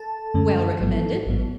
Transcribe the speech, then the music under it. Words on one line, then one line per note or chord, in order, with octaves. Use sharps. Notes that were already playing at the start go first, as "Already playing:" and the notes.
"Well recommended?"
Already playing: A4 A5
F#2 D3 A3 C#4
A1 G#2 F#3 B3
A1 G#2 F#3 B3